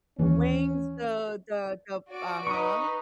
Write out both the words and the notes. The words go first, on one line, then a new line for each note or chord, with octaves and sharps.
The wings, the the the Uh-huh.
D#2 E3 C#4
F#4 D5 D7
D#4 B4 C#6 D#6